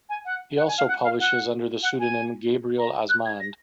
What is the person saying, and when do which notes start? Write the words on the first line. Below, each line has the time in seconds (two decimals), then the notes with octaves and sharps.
He also publishes under the pseudonym Gabriel Osmonde.
0.09 G#5
0.25 F#5
0.57 F#5
0.68 G#5
0.78 F5
0.88 F#5
1.04 F5
1.20 F#5
1.83 F#5
1.99 G#5
2.78 A#5
3.09 F#6
3.26 G#6
3.40 A#6